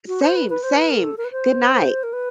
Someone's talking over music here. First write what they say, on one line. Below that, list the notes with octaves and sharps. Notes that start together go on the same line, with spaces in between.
Same, same, good night.
F#4
C5
B4
B4
C5
B4
A#4
A4
A#4
B4
C5
A#4
B4